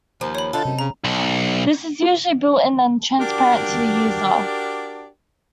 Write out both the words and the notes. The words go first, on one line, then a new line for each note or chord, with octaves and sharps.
This is usually built in and transparent to the user.
D#2 F3
C#5 B5
D3 D#4 F4 A4 A6
F#2 C3
C#3 A#5
B1
D4 F#4 G4 A#4 D5